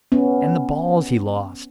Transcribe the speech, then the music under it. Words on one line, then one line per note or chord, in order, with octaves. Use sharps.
And the balls he lost!
B3 C#4